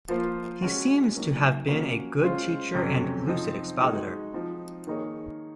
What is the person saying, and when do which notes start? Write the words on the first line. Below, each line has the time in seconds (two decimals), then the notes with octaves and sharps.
He seems to have been a good teacher and lucid expositor.
0.09 F3 A#3 F4 C5
0.62 G#3 C#4 F#4
1.16 D#3 F#3 A#3
1.68 F3 A#3 C#4 F#4
2.21 G#3 C#4 F4 C5
2.74 F2 C3 F#3 C#4
3.27 F3 C4 D#4
3.81 G#3 D#4 F#4
4.33 F3 C4 D#4
4.87 D#3 A#3 D#4 G#4 C#5